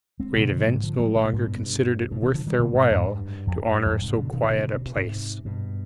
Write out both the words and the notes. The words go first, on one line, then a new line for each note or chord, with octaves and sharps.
Great events no longer considered it worth their while to honor so quiet a place.
G#3 C4
B2 D3
D3 F3
G#2 C3
D3 F3
F3 G#3
C3
B2
G#2
G2 B2
G2
G2 B2
C3 D#3
D3 F3
D#3 G3
B2 D3
G#2 C3
F2 G#2
G2
F2
G2
G2
F2 G#2
G#2 C3
B2 D3
C3 D#3
C3
B2 D3
C3
B2
G#2 C3
G2 B2